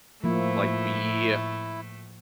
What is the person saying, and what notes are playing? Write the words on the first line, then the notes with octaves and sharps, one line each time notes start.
like be
A2 F3 A3 A#3 E4